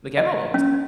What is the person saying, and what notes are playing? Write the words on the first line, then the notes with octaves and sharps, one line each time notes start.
The camo almost did.
D#5
C#4